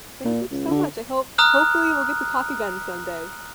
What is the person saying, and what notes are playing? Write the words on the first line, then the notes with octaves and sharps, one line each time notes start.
Thank you so much. I hope hopefully, we'll get to talk again someday.
A#2
C#2
D3
A#5 D#6 F6 F#6